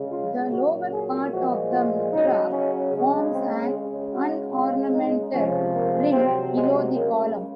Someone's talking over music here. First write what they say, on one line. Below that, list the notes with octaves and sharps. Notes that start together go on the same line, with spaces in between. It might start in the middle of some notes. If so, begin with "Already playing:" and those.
The lower part of the mitra forms an unornamented rim below the column.
Already playing: C#3 G#3
F4
A#2 F#3 F#4
G#4
A#2 F3 G#3 F#4
F4
C#3 F#3 D#4
C#4
C#3 G#3
C4
C#3 G#3
F#4
C#3 G#3 F4
D#4
C3 F3 G#3 C#4
A#3
C3 F#3 C4
G#3
C#3 G#3 A#3